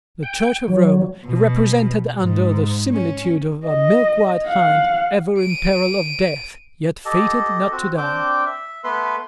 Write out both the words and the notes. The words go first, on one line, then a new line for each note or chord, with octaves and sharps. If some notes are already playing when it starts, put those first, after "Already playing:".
The Church of Rome he represented under the similitude of a milkwhite hind, ever in peril of death, yet fated not to die.
G5
F#3
B2
G#2
C#4
D#5
F5 F#5
D7 D#7
G4 A4 D#5
C4 F#4
C4 D4 G5 D6
E5
A3 B3 B4 C6